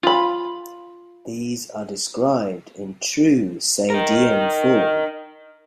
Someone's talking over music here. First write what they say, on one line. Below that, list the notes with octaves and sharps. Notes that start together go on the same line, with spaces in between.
These are described in true Sadean form.
F4 B5
D#4 A#4